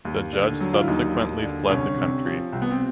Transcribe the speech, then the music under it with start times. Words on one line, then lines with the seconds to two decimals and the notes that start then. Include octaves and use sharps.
The judge subsequently fled the country.
0.05 D#2
0.32 D3
0.60 F#3
0.73 F4
0.81 E4
0.87 D#2 D#4
1.15 D#2
1.42 D3
1.70 C2 C#4
1.98 C3
2.25 F3
2.52 C2 C4
2.62 B3
2.71 C4